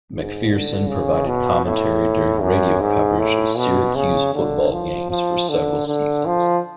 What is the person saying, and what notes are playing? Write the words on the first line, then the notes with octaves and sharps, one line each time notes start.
MacPherson provided commentary during radio coverage of Syracuse football games for several seasons.
G#2
D3
C#3
B2
A2
F#2
G#2
A2
B2
C#3
D3
F3
F3
D3
D3
F3